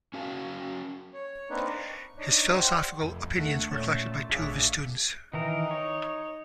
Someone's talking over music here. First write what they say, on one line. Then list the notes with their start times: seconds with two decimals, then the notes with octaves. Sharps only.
His philosophical opinions were collected by two of his students.
0.14 C#4 F#4 A#4 F5 A5
1.14 C#5
1.50 A#3 C4 D4 D#4 B4
1.77 C#6
2.17 D4 D#4 C#5
2.55 G4 C5 D5 F#5 G5
3.03 F1 F2
3.37 D#2 D3 A3 F#5
3.71 A#2 A3 C#4 A5
4.29 G#1 A2 D4 G#4 C#5 E5 F5
5.33 D#3 E3 D#4 A#4
5.71 C#5